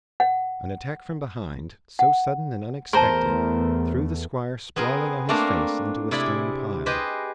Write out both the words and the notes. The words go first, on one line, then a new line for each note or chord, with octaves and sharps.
An attack from behind, so sudden and unexpected, threw the squire sprawling on his face into a stone pile.
F#5
F#5
E2 A3 A#4 C5 A5 A#5 C6
B3 C4 G#4 A#4
A3 A#3 C4 D4 A#4 F5
C3 E4 G#4 D5 B5
G4 G#4 B4 C5 D#5